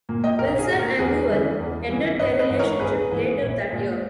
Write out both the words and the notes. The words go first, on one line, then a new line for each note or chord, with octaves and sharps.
Wilson and Duell ended their relationship later that year.
A#2 A#3
D#5 G5
B1 A#4
G#4
A#2 A#3
A#4
E2 G#4 B4
C#3 E3 G3
E2
C#3 E3 G3
G#1 B4 D#5
B4 D#5
G#2 E3
A#4 C#5
G#1 G#4 B4
G#2 E3
A#1
A#2 G#3